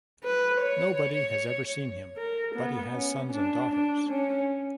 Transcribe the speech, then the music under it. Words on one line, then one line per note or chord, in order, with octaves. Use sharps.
Nobody has ever seen him, but he has sons and daughters.
B4
C#5
A#4
B3
C#4
D4
D4
C#4